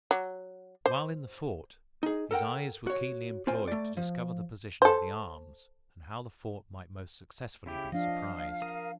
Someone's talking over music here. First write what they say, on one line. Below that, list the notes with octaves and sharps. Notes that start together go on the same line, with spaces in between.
While in the fort, his eyes were keenly employed to discover the position of the arms, and how the fort might most successfully be surprised.
F#3
C5
D#4 G#4
A4 A#4 F#5 G5
F#4 C#5
C4 F4 C5 G#5
A3 D5
F3
A4 C5
C#3 E4 G4
F3 D4 D#5 F5
A#4 D#6